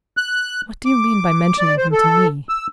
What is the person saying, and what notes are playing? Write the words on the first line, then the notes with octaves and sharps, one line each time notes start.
"What do you mean by mentioning him to me?"
F#6
D6
D5
C5
A4
E6